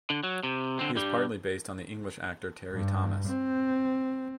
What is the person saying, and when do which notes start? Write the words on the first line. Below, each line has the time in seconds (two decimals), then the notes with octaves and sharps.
He is partly based on the English actor Terry-Thomas.
0.10 D3
0.23 F#3
0.43 C3
0.79 D3 C4
0.95 G2 G3
2.72 G2
3.28 C4